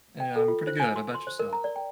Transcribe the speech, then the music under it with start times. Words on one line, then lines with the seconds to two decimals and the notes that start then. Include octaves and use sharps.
Yeah, I'm pretty good. How about yourself?
0.20 G5
0.36 A4
0.48 F4
0.67 C5
0.80 G#5
0.96 F#4
1.15 C6
1.27 C5
1.39 A#4
1.53 A#5
1.64 D5
1.76 G5